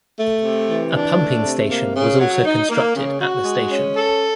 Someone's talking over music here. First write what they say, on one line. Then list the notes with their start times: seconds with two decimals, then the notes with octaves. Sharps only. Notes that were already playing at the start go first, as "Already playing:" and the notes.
A pumping station was also constructed at the station.
0.17 A3
0.42 C3
0.68 E3
0.93 D4
1.18 A3
1.44 C3
1.68 A#3
1.94 C#3
2.19 F#3
2.44 D#4
2.70 A#3
2.95 C#3
3.19 F#4
3.45 G#3
3.71 C#4
3.95 A4